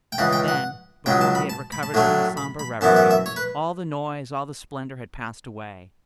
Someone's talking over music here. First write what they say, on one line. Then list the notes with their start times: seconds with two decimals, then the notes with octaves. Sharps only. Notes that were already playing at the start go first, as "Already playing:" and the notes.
Then, before he had recovered from his sombre reverie, all the noise, all the splendor, had passed away.
0.12 G5
0.18 C#2 C#3 E3 F#5
0.33 G5
0.48 F#5
1.06 C#2 C#3 F#3 G5
1.21 A5
1.35 B5
1.50 A5
1.72 B5
1.83 A5
1.94 A2 F#3 A3 D4
2.37 B5
2.59 B5
2.81 F#2 E3 B3 E4 A5
2.96 E5
3.11 E5
3.26 C#5
3.36 B4